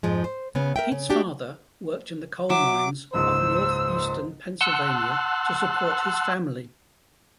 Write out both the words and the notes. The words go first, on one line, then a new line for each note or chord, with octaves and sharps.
Pete's father worked in the coal mines of northeastern Pennsylvania to support his family.
F2 G#2 F3 G#3
C5
C#3 B3
A#4 E5 G5
C#3
D4 F#4 G4
F#3 E5 D6
F#1 C#2 G#2 C5 E6
F#5 A5 C6 E6 F#6